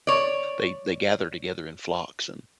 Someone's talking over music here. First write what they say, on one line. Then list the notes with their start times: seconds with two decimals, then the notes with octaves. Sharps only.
They they gather together in flocks and
0.07 C#5 D5